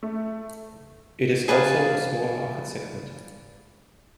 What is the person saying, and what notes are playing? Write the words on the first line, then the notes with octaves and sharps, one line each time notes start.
It is also a small market segment.
A3
G#4 B4 D5 F5